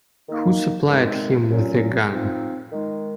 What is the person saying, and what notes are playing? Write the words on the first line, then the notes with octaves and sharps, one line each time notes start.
Who supplied him with the gun?
D#3 A#3 D#4
D#3 G#3 C4 D#4
A#2 F#3 C#4 F4
F3 C4 D#4
D#3 G#3 D#4